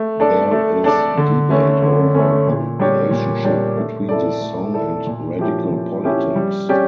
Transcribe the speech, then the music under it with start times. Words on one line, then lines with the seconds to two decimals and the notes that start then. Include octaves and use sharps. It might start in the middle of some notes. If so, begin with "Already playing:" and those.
There is debate over the relationship between the song and radical politics.
Already playing: A3
0.20 D4 A4 D5
0.51 A3
0.84 D4 A4 D5
1.17 D3
1.50 A3 C#4
1.82 D3
2.14 A3 C#4
2.47 A#2
2.79 G3 D4 G4 C#5
3.11 A#2
3.44 G3 D4 G4 C#5
3.76 A3
4.09 E4 A4 D5
4.41 A3
4.74 E4 A4 D5
5.07 A#2
5.39 F3 C#4 E4 G4
5.71 A#2
6.03 F3 C#4 E4 G4
6.36 G3
6.69 C#4 G4 D5